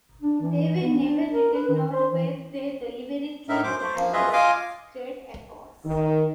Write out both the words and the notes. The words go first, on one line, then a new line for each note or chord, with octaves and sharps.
They were never written; nor were they deliberately planned as great efforts.
D4
E3
B3
D4
A#4
B4
D#3
C5
E3
A2 D#4 A#4 E5
F#2 C5 D6
C5
F3 A#3
F#2 F4 G#4 B4 D#5 E5
F4 D#5 F5 G#5 D6
D#3